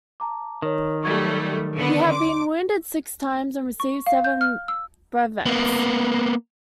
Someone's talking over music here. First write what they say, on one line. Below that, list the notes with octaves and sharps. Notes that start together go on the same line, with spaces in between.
He had been wounded six times and received seven brevets.
A5 A#5 D6
D#3 A#4 C#5
F#3 G3 A3 C#6 G#6
D3 B3 D4 C#7 F#7
C6 D6
C#6
F5
G6
F6
E6
A#3 B3